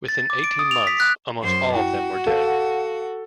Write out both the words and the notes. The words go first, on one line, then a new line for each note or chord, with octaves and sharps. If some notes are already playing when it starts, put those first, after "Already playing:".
Within eighteen months almost all of them were dead.
A6
D6
D7
D#6
F7
B6
F#6
F#2 C5
E4 F#4 G5
A4 F5 F#5